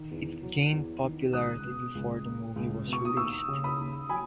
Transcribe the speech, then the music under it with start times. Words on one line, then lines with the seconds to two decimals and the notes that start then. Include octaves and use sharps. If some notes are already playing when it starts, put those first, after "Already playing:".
It gained popularity before the movie was released.
Already playing: D#3
0.11 E2
0.42 F#3
0.72 E2
1.03 D#3
1.33 C#2 D#6 F#6
1.64 B2
1.95 C#2
2.25 A#3
2.56 C#2
2.87 B2
2.93 C#6
3.05 D#6
3.17 D#2 C#6 E6
3.48 C#3
3.64 B5 D#6
3.79 D#2
4.09 F#3 G#5 B5